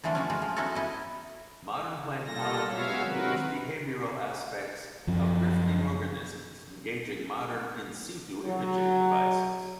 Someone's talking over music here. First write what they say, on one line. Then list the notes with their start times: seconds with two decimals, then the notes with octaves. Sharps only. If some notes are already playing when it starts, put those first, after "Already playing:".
Modern planktology includes behavioral aspects of drifting organisms, engaging modern "in situ" imaging devices.
0.04 D3 E3 F3 A3 A#3 D4
0.15 F3 F#3 C#4
0.30 F3 G#3 D#4
0.42 F3
0.56 B3 C#4 D#4 E4 F#4 A4
0.75 D#4 E4 D#5
1.92 C#3
2.24 G3 A#3 F4 A4 A#6
2.68 F#3 G#3 B3 C#5 E5 F5
3.03 C3 D#3 C4 F#4 A#4 B4
5.07 F#2 F3
8.45 F#3